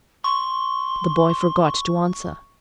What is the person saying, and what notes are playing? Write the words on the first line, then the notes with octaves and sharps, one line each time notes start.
The boy forgot to answer.
C6 C#6